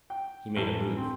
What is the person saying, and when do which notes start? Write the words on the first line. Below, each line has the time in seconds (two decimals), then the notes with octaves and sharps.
He made a move.
0.10 G5
0.56 A1
0.97 C4